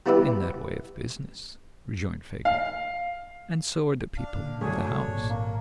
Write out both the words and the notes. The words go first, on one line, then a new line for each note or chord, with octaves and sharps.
'In that way of business,' rejoined Fagin; 'and so are the people of the house.
G3 B3 E4 G4 B4 E5
F5
D4 F5
A#2 D3
D3 F#3 A3 D4 G#4 C#5
C3
G#1 A#2
A#3